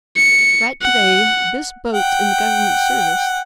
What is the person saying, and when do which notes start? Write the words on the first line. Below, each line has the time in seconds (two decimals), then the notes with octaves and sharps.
Right to-day this boat's in the government service.
0.17 C#7
0.82 F#5
1.94 F#5 G5